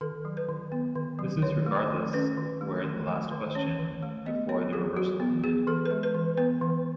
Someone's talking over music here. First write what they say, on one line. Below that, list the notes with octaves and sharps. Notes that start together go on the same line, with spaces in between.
This is regardless of where the last question before the reversal ended.
D#3 A4
F#3
B4
D#3
B3
D#3
F#3
D#3 C#5
A3
D#3
C#4 B4
D#3
A3
D#3
A3
D#3
C#4 C#5
D#3
A3
B3 D#5
B3 C#5
F#3 G#4
F#3 F#4
B3
B3 G#4
E3 A4
B4
G#3
B4
E3
B3 B4
E3